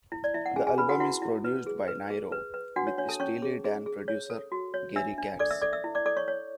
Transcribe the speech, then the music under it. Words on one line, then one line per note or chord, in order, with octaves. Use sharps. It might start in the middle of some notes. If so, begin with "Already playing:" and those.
The album is produced by Nyro with Steely Dan producer Gary Katz.
E4
D5
E4 E5
F#5
C#4 G#4 G#5
G#4 G#5
B4 B5
F#4 F#5
E4 F#4 F#5
E4
B4
G#4
B4
G#4
B4
B4
D4 F#4 F#5
C#5
D4 C#5
A4 A5
C#4 C#5 C#6
G#4
G#4
G#4
C#5
A4
F#4
C#5
D4 E5 E6
D4
A4 D5 D6
E5 E6
A4 D5 D6
E5 E6
E4
D5 D6
A4 D5 D6
C#5 C#6
C#5